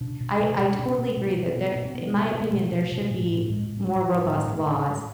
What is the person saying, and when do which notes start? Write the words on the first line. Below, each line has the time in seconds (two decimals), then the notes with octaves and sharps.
I I totally agree that there in my opinion, there should be more robust laws
0.01 B2 D4
0.20 B2
0.40 B2
0.59 B2
0.72 D4
0.79 B2 C#4
0.98 B2
1.17 B2
1.37 B2
1.56 B2 B3
1.76 B2
1.85 C4
1.94 B2 B3
2.14 B2
2.34 B2 A#3
2.41 A3
2.48 G#3
2.53 B2 A3
2.72 B2
2.92 B2
3.11 A2 A3
3.30 A2
3.50 A2 G#3
3.69 A2
3.80 G3
3.89 A2 F#3
4.08 A2
4.27 A2
4.47 A2
4.66 A2
4.86 A2